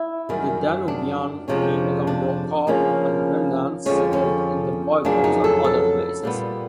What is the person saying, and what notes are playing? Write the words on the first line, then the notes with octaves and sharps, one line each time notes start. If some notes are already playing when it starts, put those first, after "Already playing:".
The Danubian kingdom broke up and remnants settled in the Balkans and other places.
Already playing: E4
F#2 D#3 G3
D4
F2 C3 F3 G#3 C#4
D4
C#3 F3 A#3 C#4
F2 D3 F3 G#3 C#4
C#4
F2 C#3 F#3 A#3 C#4 D4
D#4
A4
A4
A#2 G3 B3